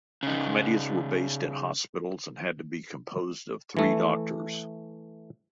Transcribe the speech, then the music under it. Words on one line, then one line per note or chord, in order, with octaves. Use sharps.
The committees were based in hospitals and had to be composed of three doctors.
C#3 D#4
E3 A3